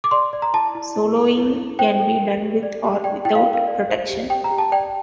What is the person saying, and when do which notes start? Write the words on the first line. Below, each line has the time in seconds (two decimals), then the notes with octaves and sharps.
Soloing can be done with or without protection.
0.04 D6
0.11 D5 C6
0.33 D5
0.42 A#5
0.53 E4 A5
0.75 E4
0.96 E4
1.17 A4
1.37 E4
1.58 E4
1.79 C5 G5
2.00 A4
2.21 A#4
2.42 G4
2.63 D5
2.84 G4
3.04 D5 G5
3.25 E4 G5
3.35 F5
3.46 A#4
3.53 F5
3.67 D5
3.89 C5
4.09 G4
4.30 G4 G5
4.44 A#5
4.51 G4
4.58 A5
4.72 D5 G5